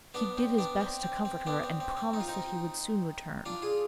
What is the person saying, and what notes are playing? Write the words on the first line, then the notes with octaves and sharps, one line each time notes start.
He did his best to comfort her and promised that he would soon return.
B3 D4
C4
B3 D4
C4
C4
C4
B3 D4
C4
C4
C4
D#4
F4
C4 D#4
D4 F4
F4 G#4